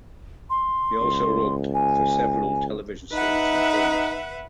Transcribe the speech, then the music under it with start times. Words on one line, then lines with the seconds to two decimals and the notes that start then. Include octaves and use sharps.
He also wrote for several television series and films.
0.50 C6
1.01 C#2
1.74 G#5
3.13 D#4 B4 E5 F#5